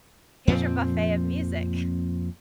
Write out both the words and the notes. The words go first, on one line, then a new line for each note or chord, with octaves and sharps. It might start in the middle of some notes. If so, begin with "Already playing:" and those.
here's your buffet of music.
F2 A#2 F3 C4